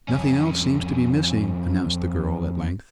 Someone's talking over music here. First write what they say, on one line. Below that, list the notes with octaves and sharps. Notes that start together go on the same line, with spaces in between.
"Nothing else seems to be missing," announced the girl, at length.
F2 C#4